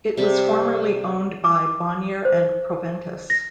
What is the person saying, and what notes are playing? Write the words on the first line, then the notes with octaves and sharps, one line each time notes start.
It was formerly owned by Bonnier and Proventus.
C3 G3 A5 B5
D6
C5
A#6